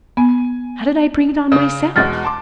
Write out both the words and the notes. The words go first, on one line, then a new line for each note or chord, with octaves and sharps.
"How did I bring it on myself?"
B3 G#5
C#3
E2 B2 G#3 F6 A6
A5 C6 D6